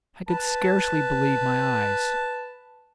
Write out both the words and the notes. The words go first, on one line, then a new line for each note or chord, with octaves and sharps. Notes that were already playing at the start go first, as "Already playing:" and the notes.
I could scarcely believe my eyes.
B4 A5